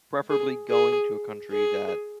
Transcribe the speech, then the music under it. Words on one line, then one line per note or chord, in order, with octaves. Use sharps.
preferably going to a country that
G#4
G#4
G#4